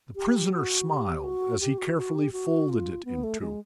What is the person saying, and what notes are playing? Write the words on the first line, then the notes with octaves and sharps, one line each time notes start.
The prisoner smiled as he carefully folded it in two.
G4
F#4
G4
F#4
G4
F#4
F#4
G4
F#4
F4
B3
A3
G#3